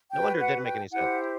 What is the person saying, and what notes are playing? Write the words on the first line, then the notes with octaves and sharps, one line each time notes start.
No wonder it didn't make any sense."
F#4 B4 G5
F#5
G5
E4 G4 C5 F#5